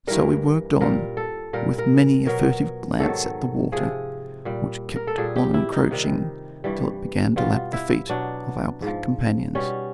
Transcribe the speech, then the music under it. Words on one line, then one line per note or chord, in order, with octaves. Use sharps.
So we worked on, with many a furtive glance at the water, which kept on encroaching till it began to lap the feet of our black companions.
G2 E3 G3 A#4
A#2 G3 A#4
A4
A#2 G3 A#4
A#4
B2 F#3 A#4
G#2 D#3 F#3 A4
C3 F3 G#4
A#2 G3
A#4
A4
A#2 G3 G#4
G4
E4
D#4
C3 D#3 G3
G2 E3 G3
B2 G3 F4
E4
B2 F#3 D4
G#2 F3
B2 G3 C#4